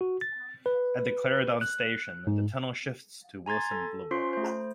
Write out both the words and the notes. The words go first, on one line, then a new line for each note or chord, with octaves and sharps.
At the Clarendon station, the tunnel shifts to Wilson Blvd.
F#4
A6
B4
F#6
G#2
G#5 A#5 C6 G#6 A6
A4
C#4 F4 C5 C6 C#6 C7
A3 C5